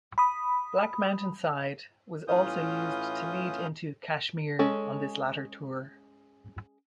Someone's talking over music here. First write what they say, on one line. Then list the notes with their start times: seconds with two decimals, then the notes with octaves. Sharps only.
"Black Mountain Side" was also used to lead into "Kashmir" on this latter tour.
0.18 B5 D#6
2.28 A2 E3 C#4 F4 D#6 G6
4.59 G#3 C#4 A4